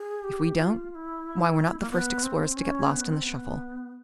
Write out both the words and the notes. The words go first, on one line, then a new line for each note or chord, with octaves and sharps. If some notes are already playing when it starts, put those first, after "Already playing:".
If we don't, why, we're not the first explorers to get lost in the shuffle.
Already playing: G#4
G4
F4
F4
E4
A#3
B3
C4
C#4
B3
C4
B3